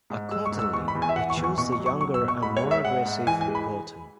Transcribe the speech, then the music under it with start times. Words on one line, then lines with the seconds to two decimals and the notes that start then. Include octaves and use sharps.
Accordingly, they chose the younger and more aggressive Gorton.
0.10 G#2
0.31 G#3 E6
0.46 C#6
0.52 G#2
0.59 E6
0.73 E2 C#6
0.88 B5
0.95 E2
1.02 G#5
1.09 E5
1.16 E3 F#5
1.30 C#6
1.37 E2
1.44 C#6
1.58 B2 C#6
1.72 C#6
1.80 F#3
1.86 C#6
2.00 F#3 C#6
2.14 E6
2.22 B2
2.28 C#6
2.42 G#2 B5
2.57 C#5
2.63 G#3
2.71 E5
2.84 G#2 F#5
3.05 G#2
3.27 E3 G#5
3.41 G#5
3.48 G#3
3.55 B5